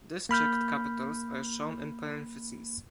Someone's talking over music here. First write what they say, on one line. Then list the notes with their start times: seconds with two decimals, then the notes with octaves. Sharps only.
District capitals are shown in parentheses.
0.29 A#3 B5 F6 G6